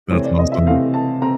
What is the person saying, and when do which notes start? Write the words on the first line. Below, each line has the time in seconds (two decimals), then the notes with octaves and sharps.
That's awesome.
0.11 C3 E3 A3 C4 C#5
0.24 D5
0.39 D#5
0.52 E5
0.66 C3 E3 A3 C4 F5
0.94 A5
1.22 C4 A#5